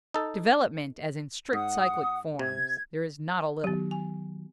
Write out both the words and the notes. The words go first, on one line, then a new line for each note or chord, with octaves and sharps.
Development, as in strict cyclic forms, there is not a little.
D#4 A4
G#2 F#5 D#6
C3 G#6
D#3 F#3 B3 G4
G#5